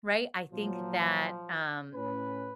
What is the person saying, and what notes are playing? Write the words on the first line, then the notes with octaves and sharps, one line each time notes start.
right? I think that, um,
A#2 F3 F#3
A2 C#4 B4